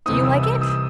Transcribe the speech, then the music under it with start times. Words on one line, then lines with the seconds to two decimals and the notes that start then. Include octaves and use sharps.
Do you like it?'
0.06 C2 C3 E3 C4 D#4 D#6
0.24 E6
0.43 E6
0.61 D#6